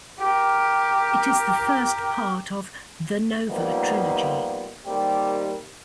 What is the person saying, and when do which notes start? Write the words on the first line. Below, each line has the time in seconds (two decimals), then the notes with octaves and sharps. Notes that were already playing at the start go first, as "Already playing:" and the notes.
It is the first part of "The Nova Trilogy".
0.19 G4 A#4
3.50 F3 G3 A#3 B3 D#4 F4
4.87 D#3 G3 A#3 C4 G4